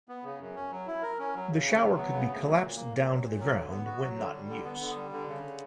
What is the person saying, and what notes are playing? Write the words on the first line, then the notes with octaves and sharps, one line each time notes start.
The shower could be collapsed down to the ground when not in use.
B3
C#3
F#2
C#4
F#3
E4
A#4
C#4
F#3
C#3
D2
F#3
B3
C#3
D2
F#3
A#2
A#3
A#2
F#3
A#2
F#3
D3
B3
F#4
F#3
D3
G3
D3
B3
D3
G3
D3
C#3